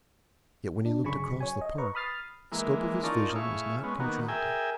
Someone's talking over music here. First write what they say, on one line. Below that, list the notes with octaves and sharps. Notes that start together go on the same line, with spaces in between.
Yet when he looked across the Park the scope of his vision was not contracted.
D4
G1 C#3 F#3 G#4 B5 C#6
C#5 G#5
D#5
B4 A#5 C#6
B5 D#6 F6 A6 C7
E3 G#3 A#3
C#4 D#4 F4 A4 A#4 D5
A2 E4 G#4 F5 C#6
G#3 B3 C#4
D#3 A#3 B3 F#4
G#4 A#4 E5 G5 G#5